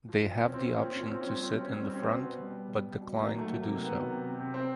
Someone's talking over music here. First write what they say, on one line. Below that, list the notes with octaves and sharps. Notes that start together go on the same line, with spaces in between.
They have the option to sit in the front, but decline to do so.
F3
F3
F3 C4
C#4
F3 C4
C#4
A#2 C4
C#4
A#2 C4
C#4
F3 C4
C#4
F3 C4
C#4
C4
G3 C#4
C4
B2 C#4
C4
G3 C#4
C4
G3 C#4
C4
B2 C#4
C4
B2
B2 B3
G3
G3
G3
G3
B2
D#3 A#3
F#3 A#3
A3
F#3
C3 A#3
D#3 A#3
B3
F#3
C3
C3
C3
C3 C4